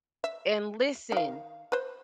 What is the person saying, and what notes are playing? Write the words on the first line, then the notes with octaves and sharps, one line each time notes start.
And listen,
E5
D#3 F5
B4 C5